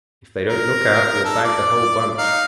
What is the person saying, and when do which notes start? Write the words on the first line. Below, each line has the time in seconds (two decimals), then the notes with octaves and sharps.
If they don't look out we'll bag the whole bunch.
0.49 A#4
1.25 A4
1.45 D5
2.18 D#4 F5